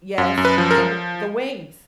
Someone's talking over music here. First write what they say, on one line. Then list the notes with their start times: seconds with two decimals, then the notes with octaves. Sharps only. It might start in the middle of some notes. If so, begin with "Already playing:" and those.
Yes. Ye w the wings.
0.18 F#2
0.37 F#2
0.45 B4
0.58 F3
0.71 A#4
0.78 F3